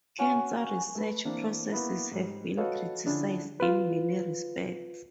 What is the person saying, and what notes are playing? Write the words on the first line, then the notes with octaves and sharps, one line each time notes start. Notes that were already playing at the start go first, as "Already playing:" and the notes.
Cancer research processes have been criticised in many respects.
C#4 F#4 G#5
A3 B4
E3 A#3 C4 D4
A#3 B3 E4
G#2 G3
F#4 A4 B4 C#5 D#5 F5
D3 F3 C#4 D4 E4 G#4
F4 B4